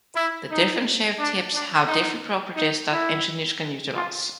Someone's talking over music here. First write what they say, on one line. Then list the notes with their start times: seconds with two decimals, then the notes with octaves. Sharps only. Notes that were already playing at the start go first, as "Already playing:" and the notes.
The different shaped tips have different properties that engineers can utilize.
0.15 E4
0.50 D#4
1.19 D4
1.53 D4
1.87 D#4
2.55 D#4
2.91 E4
3.94 F4